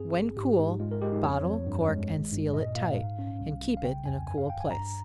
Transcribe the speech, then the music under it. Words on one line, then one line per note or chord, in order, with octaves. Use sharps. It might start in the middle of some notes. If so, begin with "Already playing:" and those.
When cool, bottle, cork, and seal it tight, and keep it in a cool place.
Already playing: G2 C4 G#4
G1
G#2 G4
G#2
G#3 F4
A#4
G#3 G4
D#4
F2 C#5
F2
G2
G#3
G#1
G2
A#2 D#5
A#2 F5
G#2
C#4
C2
C2
F5
C#3 G5
F2 G#5
G2 G#5
F5
G1 G5
G#5
G2 A#5